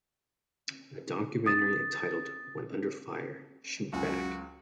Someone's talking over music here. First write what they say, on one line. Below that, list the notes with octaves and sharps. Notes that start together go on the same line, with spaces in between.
A documentary entitled When Under Fire: Shoot Back!
D#6 A6
C#2 F#2 F4 F#4 G#5